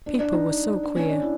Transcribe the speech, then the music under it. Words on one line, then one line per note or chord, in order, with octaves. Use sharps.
People were so queer.
D4
D4
D#4
D4
C#4
D4
E4